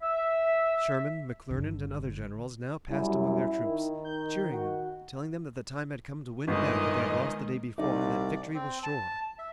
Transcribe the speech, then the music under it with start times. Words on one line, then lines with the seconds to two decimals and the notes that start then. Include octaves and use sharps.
Sherman, McClernand and other generals now passed among their troops, cheering them, telling them that the time had come to win back what they had lost the day before, and that victory was sure.
0.01 E5
1.51 G1 D3
2.90 F#2 F#3 G3 E4
3.61 D#3
4.05 G6
4.52 F#4
6.47 G1 D#3 G#3 D#5
7.78 C2 D#4 D5
8.55 C4
8.83 A5
9.39 E5